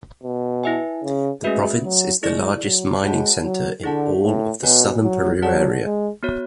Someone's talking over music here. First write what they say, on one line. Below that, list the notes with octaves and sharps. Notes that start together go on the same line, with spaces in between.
The province is the largest mining center in all of the southern Peru area.
B2
E4 B4 E5 G#5
C#3
G#3 A3 C#4 F#4 B4 E5
F#3
G#3 E4 G#4 D5
F#3
G#3 F#4 C#5 F#5 A5
F#3
D3 E4 G#4 D5 F#5 A5
A2
B2 F#4 C#5 G#5
F#3
F#3 G#4 D5 F#5 A5
G#3
B3 F#4 C#5